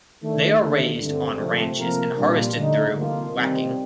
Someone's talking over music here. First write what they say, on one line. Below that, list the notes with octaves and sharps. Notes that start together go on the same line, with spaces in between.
They are raised on ranches and harvested through "whacking".
D#3 A3 D4
D#2 D3 A3
G2 D3 A3 C4
C3 F3 A3 C4
C3 F3 A#3 F4 A#4
A#2 G3 D4 F4
D3 A3 D#4
C2 C3 F3 A#3 F4
C3 D#3 G3 C4